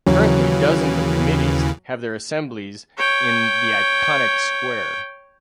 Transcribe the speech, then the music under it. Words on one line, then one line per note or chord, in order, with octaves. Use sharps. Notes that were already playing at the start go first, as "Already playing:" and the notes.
Currently, dozens of committees have their assemblies in the iconic square.
D#2 C#3 E3 F#3
C#5 G5